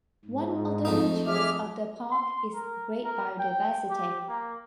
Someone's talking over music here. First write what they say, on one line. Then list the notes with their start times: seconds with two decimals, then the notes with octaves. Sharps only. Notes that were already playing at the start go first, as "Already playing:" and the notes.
One of the features of the park is great biodiversity.
0.25 G#2
0.85 F2 A3 D#4
1.26 G#4 E5 D6 F6
2.12 C6
2.54 A#4
3.04 A#4
3.39 G5
3.90 G4
4.29 A#3